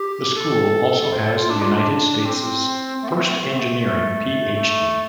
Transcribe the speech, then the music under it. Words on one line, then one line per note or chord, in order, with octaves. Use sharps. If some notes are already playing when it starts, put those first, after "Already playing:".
The school also has the United States' first engineering Ph.D.
Already playing: G4
A4
C5
A4
F4
D4
F4
D4
D4
C4
A3
C4
A3
C4
A3
C4
A3
C4
A3
A3
A3